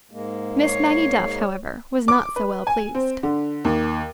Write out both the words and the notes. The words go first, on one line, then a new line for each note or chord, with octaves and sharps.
Miss Maggie Duff, however, was not so well pleased.
G#2 G#3 A#3
C#5 C7
D6
B4
G#5
C4
D3
D#2